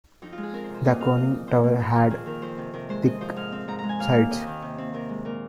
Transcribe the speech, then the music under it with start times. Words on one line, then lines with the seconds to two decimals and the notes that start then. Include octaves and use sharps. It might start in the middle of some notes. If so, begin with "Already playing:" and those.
The conning tower had thick sides.
0.22 F2 D#4
0.33 F4
0.38 G#3
0.43 G#4
0.53 C4 A#4
0.64 C5
0.69 C3
0.74 C5
0.85 A#2 D#5
1.00 C4 F5
1.16 A#2 D#5
1.32 F3
1.48 F2 C5
1.64 A#3
1.79 F2 D#4
1.95 D#3 F4
2.10 F2 G#4
2.26 D#3 A#4
2.42 F2 C5
2.58 C3
2.74 C3 A#4
2.89 G#3 C5
3.05 C4 D#5
3.21 F3 C5
3.36 G#2 F5
3.52 C4
3.68 G#2 A#5
3.79 A#5
3.84 G#3
3.89 G#5
3.99 D#2 F5
4.15 A#3
4.31 D#2 D#5
4.47 D#3
4.62 C3
4.78 C4
4.94 C3 A#4
5.10 G#3
5.25 A#2 A#4